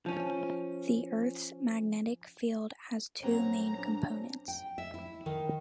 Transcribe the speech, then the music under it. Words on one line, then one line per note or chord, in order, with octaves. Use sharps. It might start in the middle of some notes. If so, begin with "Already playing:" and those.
The Earth's magnetic field has two main components.
F3 C#4
A#1 F#3 C4 C#4 A#5
D4
G5
E5
E4
D#3